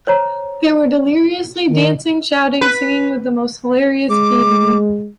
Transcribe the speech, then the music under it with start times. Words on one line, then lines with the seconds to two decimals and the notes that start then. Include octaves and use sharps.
They were deliriously dancing, shouting, singing with the most hilarious gaiety.
0.07 C5 C#5 A#5
1.69 D#3
2.61 B4
4.10 G#3 D6